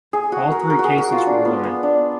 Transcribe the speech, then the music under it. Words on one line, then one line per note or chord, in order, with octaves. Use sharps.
All three cases were women.
G#4
F#4
A#4
A#4
F#4
G#4
F#4
F4
D4
B3
B3
D4